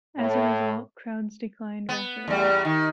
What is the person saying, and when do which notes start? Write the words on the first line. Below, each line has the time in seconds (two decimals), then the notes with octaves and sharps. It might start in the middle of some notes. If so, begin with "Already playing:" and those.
As a result, crowds declined rapidly.
0.18 A2
1.89 B3
2.28 E2 G3
2.65 D#3